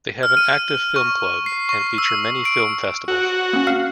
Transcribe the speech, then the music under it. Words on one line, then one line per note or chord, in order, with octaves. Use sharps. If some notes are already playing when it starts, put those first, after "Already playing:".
They have an active film club and feature many film festivals.
F6
D#7
C#6
C7
C#6
E6
D7
F#4
A#3 C#4
F5 F6 C7